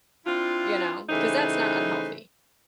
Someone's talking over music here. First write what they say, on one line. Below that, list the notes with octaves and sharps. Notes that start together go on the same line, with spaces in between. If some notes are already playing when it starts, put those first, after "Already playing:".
you know, cause that's not unhealthy.
C4 D4 E4 F4
C#3 E3 G3 A3 D#4 C5